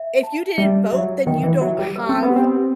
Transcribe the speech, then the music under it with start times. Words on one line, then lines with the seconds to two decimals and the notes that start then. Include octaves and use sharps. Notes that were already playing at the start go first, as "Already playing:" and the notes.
If you didn't vote, then you don't have"
Already playing: E5
0.23 A5
0.58 G3 E5
0.92 F#3 E5
1.27 D#3 G5
1.43 E3
1.61 F#3 E5
1.79 G3
1.96 B4
2.09 C4
2.23 B3
2.30 G4
2.36 C4